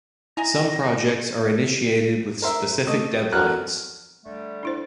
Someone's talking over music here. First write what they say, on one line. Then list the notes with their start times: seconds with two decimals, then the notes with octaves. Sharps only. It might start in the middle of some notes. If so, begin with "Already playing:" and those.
Some projects are initiated with specific deadlines.
0.37 E4 D#5 G#5 A#5 A#6
2.42 A#4 C5 E5
2.87 A3 D#5 D#6
3.32 F#4 A4 A#4 F6 F#6
4.24 D3 G3 A3
4.63 D4 E4 C5